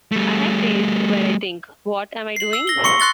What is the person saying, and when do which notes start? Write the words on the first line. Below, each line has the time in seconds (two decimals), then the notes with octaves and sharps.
I have days where I think, 'What am I doing?
0.12 G3 A3
2.36 C7 F#7
2.53 E6
2.67 A#6 G7
2.84 C6 C#6 C#7 G7
3.00 C6 F#6 A6 G7